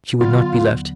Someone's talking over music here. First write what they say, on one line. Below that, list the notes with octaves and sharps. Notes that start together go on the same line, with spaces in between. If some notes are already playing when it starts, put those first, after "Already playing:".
"She would not be left."
D3 F#3 B3 F4
D#2